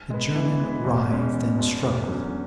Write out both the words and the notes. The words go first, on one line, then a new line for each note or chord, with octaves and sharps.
The German writhed and struggled.
G#3 B3
E3
G#3 B3
E2
B2 G#3 C#4
E2
B2 G#3 C#4
E2
D3 F#3 C#4